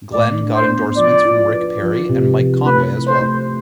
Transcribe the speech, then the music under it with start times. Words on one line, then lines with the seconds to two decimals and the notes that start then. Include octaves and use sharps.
Glenn got endorsements from Rick Perry and Mike Conaway as well.
0.13 A2 D5
0.40 D4
0.54 C5
0.69 B3
0.97 F3 D5
1.25 F4
1.53 B4
1.81 F3
2.09 C3
2.37 F3
2.65 A3 B4
2.94 E4
3.07 C5
3.22 A3